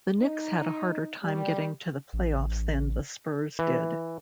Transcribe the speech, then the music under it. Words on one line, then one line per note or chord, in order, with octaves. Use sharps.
The Knicks had a harder time getting to the playoffs than the Spurs did.
D#4
G3
A1
E3